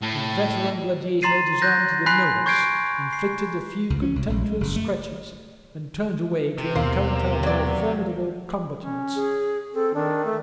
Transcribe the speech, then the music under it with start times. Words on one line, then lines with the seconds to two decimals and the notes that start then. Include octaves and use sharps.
The veteran gladiator disarmed the novice, inflicted a few contemptuous scratches, and turned away to encounter more formidable combatants.
0.02 A2
1.22 A#5 C6 A6 C7 D#7
1.62 F#6 G6 A#6
2.06 G#5 B5 C6 F#6 B6 C7
2.46 C#6 G6 G#6 C7 D7
3.13 C7
3.90 C#2
4.02 C#4
4.16 C2
4.30 A#1
4.44 G#3
4.60 F#1
4.76 A3
6.58 C3
6.75 D#2 B2 A#3 A#4 C5 F5
7.43 F#3 D5
8.81 C#4
9.16 G#4
9.74 C4 A4
9.94 D#3 D4
10.25 A3